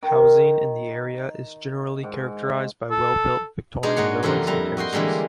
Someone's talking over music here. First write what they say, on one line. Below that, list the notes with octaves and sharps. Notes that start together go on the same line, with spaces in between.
Housing in the area is generally characterised by well-built Victorian villas and terraces.
D#3
G#2
A4
G#3 D4 D#4 G#4 D5 G5
G#2 A#3 F#4 C#5
F#2 D3 E3 F3 G3 A#4
F2 G3 E4 A#5
F#4 D#5 G5 C6
D3 E3 G3 G#3 A#3